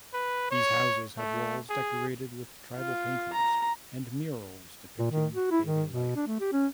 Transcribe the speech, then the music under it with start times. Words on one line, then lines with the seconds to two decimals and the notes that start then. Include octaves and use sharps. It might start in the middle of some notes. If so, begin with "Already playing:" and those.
These houses have walls decorated with tribal paintings and murals depicting daily life.
0.13 B4
0.51 C#5
1.18 A3
1.69 G#4
2.77 F4
3.33 A#5
4.99 A#2
5.11 D#3
5.34 F#4
5.51 E4
5.65 D#3
5.89 B2
6.16 D4
6.27 A3
6.40 G4
6.53 C#4